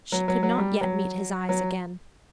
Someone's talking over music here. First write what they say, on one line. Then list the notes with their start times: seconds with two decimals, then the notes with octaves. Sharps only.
She could not yet meet his eyes again.
0.12 F#3
0.28 F#3
0.43 F#3
0.58 G3
0.81 F#3
1.49 F#3